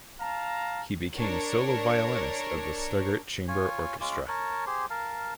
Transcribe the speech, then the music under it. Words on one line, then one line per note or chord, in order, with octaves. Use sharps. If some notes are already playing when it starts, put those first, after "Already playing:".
He became solo violist of the Stuttgart Chamber Orchestra.
F5 A5 A#5
D4 A#4 C#5
F4 C#5 G#5
G#3 C#4 F4 D6
A#4 C#5 A5
G4 G#4 C5 C6
A#4 F5 A5